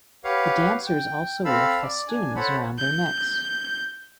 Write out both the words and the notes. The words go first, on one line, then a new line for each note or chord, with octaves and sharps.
The dancers also wear festoons around their necks.
G4 B4 C#5 F5 F#5
G5
C4 A4 F5 B5 E6
D5
D4 G#5
A4 C5 C#5 F#5 B5
G6